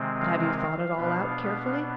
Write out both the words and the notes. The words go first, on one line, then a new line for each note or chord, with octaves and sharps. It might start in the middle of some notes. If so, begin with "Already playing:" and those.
But have you thought it all out carefully?
Already playing: C3 D#3 G#3 C4
F5
B2 B3 D4